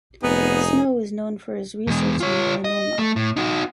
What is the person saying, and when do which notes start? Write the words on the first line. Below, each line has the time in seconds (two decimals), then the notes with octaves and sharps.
Snow is known for his research on melanoma.
0.23 F1 B3 D#4 G#4
1.87 E2 G#3
2.21 F4 C#5
2.64 D#5
2.99 A3
3.16 A2
3.36 D#4 F#4